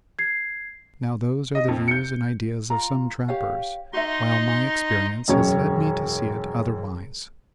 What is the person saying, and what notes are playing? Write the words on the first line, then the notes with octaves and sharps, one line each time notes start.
Now those are the views and ideas of some trappers, while my experience has led me to see it otherwise.
G#6 C7
D#5
F2
G6 C#7
F4 A#5
G4 C#5 F5
D#4 F#4 D#5 E5 C6
E1 F#2 C#5